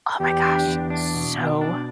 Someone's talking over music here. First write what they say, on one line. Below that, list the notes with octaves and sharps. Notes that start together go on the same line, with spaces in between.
Oh my gosh, so
E2 G4
D4
E2
D4
B2
B2
D4